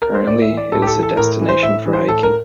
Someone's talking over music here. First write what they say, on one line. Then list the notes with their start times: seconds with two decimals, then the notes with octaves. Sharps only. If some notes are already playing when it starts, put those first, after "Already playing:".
Currently, it is a destination for hiking.
0.02 A#4
0.14 C5
0.27 A2 D5
0.42 E5
0.50 E3
0.57 D5
0.72 A2 A4
0.82 G4
0.87 A4
0.96 E3
1.03 A4
1.17 A2 A#4
1.41 E3
1.49 C5
1.63 A2 E5
1.86 E3
1.93 C5
2.08 A2 A4
2.23 A#4